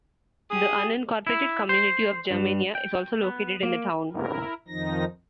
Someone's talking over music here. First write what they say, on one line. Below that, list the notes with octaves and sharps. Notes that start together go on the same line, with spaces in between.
The unincorporated community of Germania is also located in the town.
G4 G#4 D#6
E4
C5
G2
G5
B3
A#3
E4 A#4
F2 D#3 F3 D#4 A#6